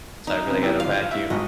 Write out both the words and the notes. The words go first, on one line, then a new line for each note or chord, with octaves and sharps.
so I really gotta vacuum.
D#4
C#3 F3 C4
B3 E4 G4
D3 F3 F5
E4 E5
G#1 G#2 D#5